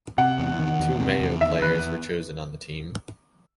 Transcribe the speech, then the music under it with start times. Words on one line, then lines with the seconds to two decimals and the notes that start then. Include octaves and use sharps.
Two Mayo players were chosen on the team.
0.18 C3 F#5
0.39 E2
0.59 D#3
0.80 E2
1.00 C3
1.20 E2
1.41 D#3 E5
1.61 E2 B4